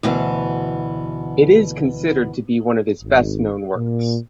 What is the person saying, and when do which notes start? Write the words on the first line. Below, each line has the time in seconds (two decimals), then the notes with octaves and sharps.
It is considered to be one of his best known works.
0.03 D2 B2 E3 B3
3.02 G#1
3.75 A#2